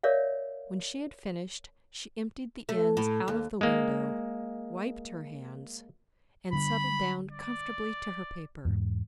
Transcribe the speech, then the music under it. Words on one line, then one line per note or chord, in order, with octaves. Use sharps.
When she had finished, she emptied the ends out of the window, wiped her hands, and settled down comfortably to her paper.
A#4 C#5 D5 E5 F5
A3
A2
D#2
G#3 A#3
D3 G3 B5
D5
E2 G#2